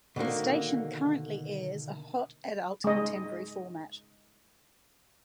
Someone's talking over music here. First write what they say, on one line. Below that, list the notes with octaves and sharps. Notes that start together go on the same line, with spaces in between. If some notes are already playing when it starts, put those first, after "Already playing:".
The station currently airs a Hot adult contemporary format.
B2 D3 D#3 A#3
G#3 D#5